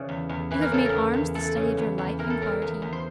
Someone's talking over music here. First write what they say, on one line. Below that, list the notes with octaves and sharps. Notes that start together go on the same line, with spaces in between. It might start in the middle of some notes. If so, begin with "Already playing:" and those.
"You have made arms the study of your life?" inquired he.
Already playing: C#3 E3 D5
E2
E2
E3 B4
A#4
C#3 A4
A#4
E2
E2
E3 A4
C#3
E2
E2
E3 A#4
A4
C#3 A#4
E2
E2
C5